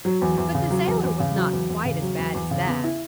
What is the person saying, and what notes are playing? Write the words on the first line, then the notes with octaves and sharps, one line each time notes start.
But the sailor was not quite as bad as that.
F#3
E2
E2
C#3
F#3
E2
E2
C#3
F#3
E2
E2
C#3
F#3
E2
E2
C#3
B3
E4